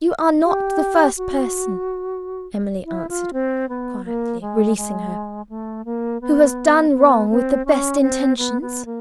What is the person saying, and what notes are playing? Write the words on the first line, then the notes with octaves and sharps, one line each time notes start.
"You are not the first person," Emily answered, quietly releasing her, "who has done wrong with the best intentions."
G4
F#4
E4
F4
C4
B3
A#3
G#3
G#3
A3
A#3
B3
B3
C4
C#4
C4
B3
B3
A#3